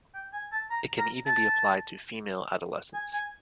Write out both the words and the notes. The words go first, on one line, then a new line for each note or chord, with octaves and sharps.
It can even be applied to female adolescents.
G5
G#5
A5
A#5
A#5
A5
G#5
G#5